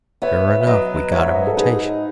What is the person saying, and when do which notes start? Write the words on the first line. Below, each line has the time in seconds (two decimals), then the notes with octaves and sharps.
Sure enough, we got a mutation.
0.22 B3 C#5 E5
0.61 E5
0.67 F#3 B4 D#5
1.12 G#2 C#5 E5
1.35 B4 D#5
1.47 A4
1.57 D#4 G#4 B4